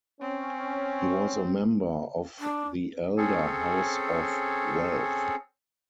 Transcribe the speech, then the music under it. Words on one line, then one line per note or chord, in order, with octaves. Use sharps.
He was a member of the Elder House of Welf.
C4 C#4
D4
C4 C#4 G#4 A4 C#5